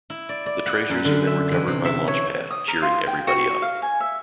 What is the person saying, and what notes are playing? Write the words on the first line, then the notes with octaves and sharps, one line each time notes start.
The treasures are then recovered by Launchpad, cheering everybody up.
E4
D5
D5
F#5
F#2
D3
E5
E3
C3
E5
C#5
D#6
A#4
F4
G5
F#4
F5
G#5
E5